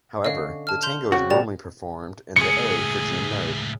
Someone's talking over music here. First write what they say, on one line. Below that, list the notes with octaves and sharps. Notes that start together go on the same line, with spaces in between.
However, the tango is normally performed in the A Phrygian mode.
D3 C#4 C#5 D#5 F5
A5 F6
C6 G6 F7
C#3 G3 C4 F#4
A2 G3 A6 E7 F7
C#2 A2 G#4 C#7